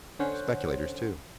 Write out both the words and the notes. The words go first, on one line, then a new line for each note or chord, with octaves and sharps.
Speculators, too.
D3 C#4 C5 F#5